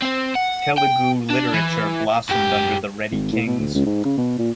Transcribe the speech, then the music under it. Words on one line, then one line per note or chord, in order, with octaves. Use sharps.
Telugu literature blossomed under the Reddy kings.
C4 C5
F#5
G5
D4
E3
F#2 G4
G#1
A2
B2
D2
C#2
G#2
C#3
B2
A#2